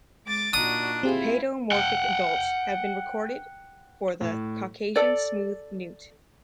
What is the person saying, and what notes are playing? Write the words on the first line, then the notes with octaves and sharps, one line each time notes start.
Paedomorphic adults have been recorded for the Caucasian smooth newt.
G#3 D6 A6
A#2 D4 D#4 F#4 D#6
C4 E4 F4 G4 G#4
F#5 G5
A2
A4 D5